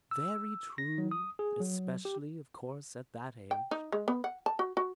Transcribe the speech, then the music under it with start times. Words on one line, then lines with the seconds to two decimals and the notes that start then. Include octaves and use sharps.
"Very true, especially, of course, at that age."
0.11 E6
0.78 A#6
0.98 F#3
1.11 D#6
1.39 G#4
1.60 F#3
2.05 G4
3.51 G5
3.71 D#4
3.92 G#3
4.08 B3
4.24 F#5
4.46 A5
4.59 F#4
4.77 F#4